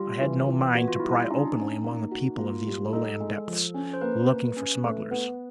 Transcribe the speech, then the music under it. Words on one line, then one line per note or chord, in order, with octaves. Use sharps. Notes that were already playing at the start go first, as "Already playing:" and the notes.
I had no mind to pry openly among the people of these Lowland depths, looking for smugglers.
Already playing: G3 F4
E3
E3
B3 F#4
F4
G3 E4
F4
C#4 D#4
D4
D#4
C#4
A#3
F#4
A#3 F4
G3
D#4 A4
G#3
F3
C#4
C5
A#3 B4
A#3
C#4
A3
B3